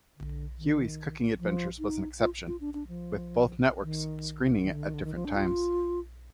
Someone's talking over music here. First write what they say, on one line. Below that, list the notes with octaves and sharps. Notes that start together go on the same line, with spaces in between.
Huey's Cooking Adventures was an exception, with both networks screening it at different times.
D3
D#3
F3
D#4
F4
F4
D4
D4
F3
D#3
D#3
D3
D#3
D3
D#3
F3
D4
F4